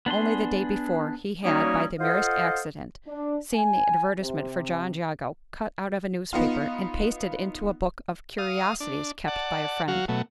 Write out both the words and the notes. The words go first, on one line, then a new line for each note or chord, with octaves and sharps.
Only the day before, he had, by the merest accident, seen the advertisement for John Jago cut out of a newspaper and pasted into a book of "curiosities" kept by a friend.
B3 D4 G#4 C6
F#3 G3 A#3 C#4 D#4
F4 A4 C5 D#5 F5 F#5
D4
G#5
C3
B3 D#4 F4
F5 D#6
D4
D5 F#5 A5
F#3 F#4 F5
B2 F#3 A3